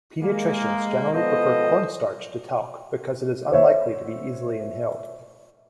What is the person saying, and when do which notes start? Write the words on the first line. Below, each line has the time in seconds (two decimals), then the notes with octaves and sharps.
Pediatricians generally prefer cornstarch to talc because it is unlikely to be easily inhaled.
0.22 G#3 A#3
1.12 F3 G#3 B3 A4 C5 D#5
3.52 C5 C#5 E5